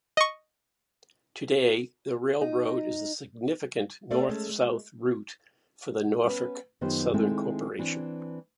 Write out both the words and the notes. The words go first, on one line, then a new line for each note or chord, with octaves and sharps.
Today, the railroad is a significant north-south route for the Norfolk Southern Corporation.
D#5 C#6
D#4
A3 C4 A4 C5 D5 E5
G#3 A3 C#4 G#4 A4
G#3
B3 C#4 B4
F#2 D#3 B3 F4 G4 C5
D#3 G#3 A3 C4 E4 A4
E3 C4 D4